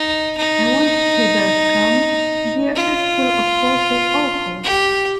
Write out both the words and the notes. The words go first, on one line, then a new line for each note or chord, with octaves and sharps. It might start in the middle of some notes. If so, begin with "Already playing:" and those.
And when he does come, the effect will of course be - awful.
Already playing: D#4
D#4
F4
G4